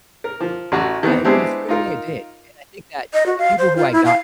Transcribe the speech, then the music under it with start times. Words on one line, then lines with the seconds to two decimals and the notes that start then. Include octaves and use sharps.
Yeah, in in a certain way it did, and I think that, you know, the people who I got
0.24 A#4
0.40 F3
0.72 A1 F#4
1.03 D#3 E3 B3 C4
1.25 G#3 B3 C4 D4 E4 G4
1.69 D#4 F4 A#4
3.14 D#5
3.26 F#4
3.38 F5
3.59 C5
3.76 F4
3.92 E4
4.05 F5